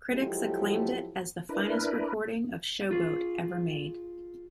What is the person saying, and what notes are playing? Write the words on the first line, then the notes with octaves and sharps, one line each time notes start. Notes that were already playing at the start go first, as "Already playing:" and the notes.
Critics acclaimed it as the finest recording of "Show Boat" ever made.
F3 F#3 G#3 E4 G4 A4
D4 E4 A#4 B4
F4 G#4